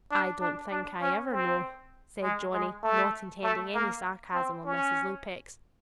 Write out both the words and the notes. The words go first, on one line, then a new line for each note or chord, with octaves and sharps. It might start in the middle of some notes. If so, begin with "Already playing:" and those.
"I don't think I ever know," said Johnny, not intending any sarcasm on Mrs. Lupex.
D4
D4
D4
C#4
C4
G#3
G#3
A3
A3
A#3
C4
C#4